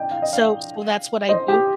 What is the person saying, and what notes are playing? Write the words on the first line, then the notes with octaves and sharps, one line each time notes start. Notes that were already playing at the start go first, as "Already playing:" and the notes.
so so that's what I do,
Already playing: D5 D#5 G5
F5
D#5
D5 F5
C5 D#5
G4